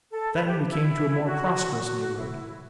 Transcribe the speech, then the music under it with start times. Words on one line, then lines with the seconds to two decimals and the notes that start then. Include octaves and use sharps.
Then we came to a more prosperous neighborhood.
0.12 A4
0.34 B4
0.46 G4
0.69 E4
1.26 F#4
1.71 F#4
2.17 E4